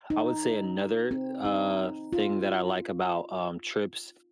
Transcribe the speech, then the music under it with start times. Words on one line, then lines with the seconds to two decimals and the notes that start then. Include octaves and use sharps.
I would say another, uh, thing that I like about, um, trips
0.10 D#4
1.11 C4
1.45 D#4
2.13 F4